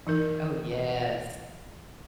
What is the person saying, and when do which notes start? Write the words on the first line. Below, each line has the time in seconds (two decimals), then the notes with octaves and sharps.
Oh, yes.
0.07 E3 D#4 A#4